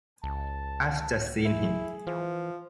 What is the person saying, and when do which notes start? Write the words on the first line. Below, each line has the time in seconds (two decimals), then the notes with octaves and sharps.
I’ve just seen him.
0.24 C#2 A5
1.45 E4 G#4
2.07 E3 F3